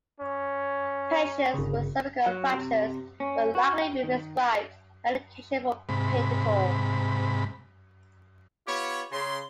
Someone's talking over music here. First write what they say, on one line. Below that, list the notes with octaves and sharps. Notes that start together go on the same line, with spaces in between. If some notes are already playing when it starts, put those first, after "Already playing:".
Patients with cervical fractures will likely be prescribed medication for pain control.
C#4
G1 C#3
F#3
C3
C#4
F#4
G5
D#3
G#2 C3 B5
B3 F4 G4 C#5
C#3 C6